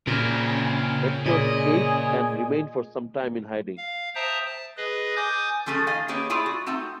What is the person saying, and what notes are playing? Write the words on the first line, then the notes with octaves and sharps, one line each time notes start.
Hector escaped and remained for some time in hiding.
A#2 C#3 C4 A#4
A#2 G#4 D#5
F5
C5 E5 G5 A5 A#5 D#6
A5
G#4 B4 D#5
G#5 D6 D#6 G6 A6
F3 A3 C#4 G#4 A4
D#3 D#5 F5 G#5
A#3 C#4 G4 G#4 B4 C#5
A3 E4 F4 G#4 D5 G#5
F#4
A3 C4 D#4 F#5